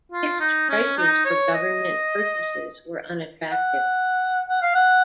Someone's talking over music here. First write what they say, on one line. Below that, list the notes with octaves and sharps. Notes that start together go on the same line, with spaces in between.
Fixed prices for government purchases were unattractive.
F4
D#4
C#4
D#4
C#5
D#5
F#5
F#5
F5
F#5